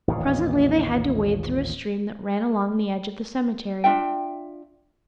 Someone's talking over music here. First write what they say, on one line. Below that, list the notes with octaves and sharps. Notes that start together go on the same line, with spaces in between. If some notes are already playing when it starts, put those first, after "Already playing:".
Presently they had to wade through a stream that ran along the edge of the cemetery.
A1 D#2 A#2 C#3
D4 F4 E5 G5